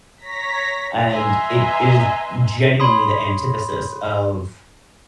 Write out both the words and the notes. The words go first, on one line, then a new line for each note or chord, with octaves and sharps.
and it is genuinely the antithesis of
C#5 A#5 A#6 B6
B4 D#5 E5 G#5 A#5 C6
C#5 B5 C6 D#6